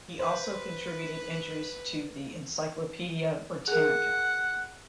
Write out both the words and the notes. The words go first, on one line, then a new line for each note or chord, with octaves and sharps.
He also contributed entries to the "Encyclopedia Britannica".
B4 C5
G#4 A#4 F#5